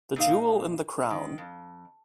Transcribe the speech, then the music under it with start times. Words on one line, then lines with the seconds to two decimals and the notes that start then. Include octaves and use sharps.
The jewel in the crown.
0.16 A#2 D#4 F5
1.10 D#3
1.38 F2